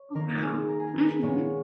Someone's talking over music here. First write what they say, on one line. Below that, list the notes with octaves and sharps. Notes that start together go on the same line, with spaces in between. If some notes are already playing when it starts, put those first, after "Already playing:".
oh, wow. Mhm.
Already playing: C#5
D#3 A#3 A#4
G#4
A#4
G#4
A#4
B4
A#2 G#3 B3 C#5